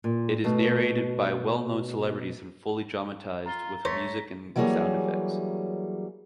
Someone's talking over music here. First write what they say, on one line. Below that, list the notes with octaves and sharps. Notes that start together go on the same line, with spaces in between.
It is narrated by well-known celebrities and fully dramatized with music and sound effects.
A#2
B2 A3
F4 A#5 G7
A3 C5 C#5 A#6 B6
E3 F#3 G3 A#3 G#4 C#5